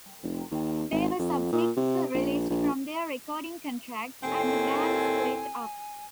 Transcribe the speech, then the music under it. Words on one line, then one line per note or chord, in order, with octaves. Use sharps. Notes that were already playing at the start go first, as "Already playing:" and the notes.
They were subsequently released from their recording contract, and the band split up.
F1
D#2
G#1
F2
A#2
C3
A#1
A#1
D#2 A2 C4 A4 G#5